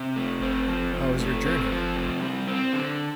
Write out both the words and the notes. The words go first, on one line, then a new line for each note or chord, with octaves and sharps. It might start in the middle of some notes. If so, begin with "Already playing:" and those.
How was your journey?
Already playing: C3
A3
C4
F3
C3
A3
C4
F3
C3
G3
C4
D3